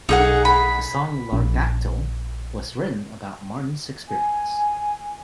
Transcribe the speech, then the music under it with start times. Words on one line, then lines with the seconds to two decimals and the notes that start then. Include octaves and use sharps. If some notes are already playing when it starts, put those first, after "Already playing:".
The song "Largactyl" was written about Martin's experience.
0.09 B1 D#4 G#4 F#5
0.45 B5
1.33 A#1
4.09 G#5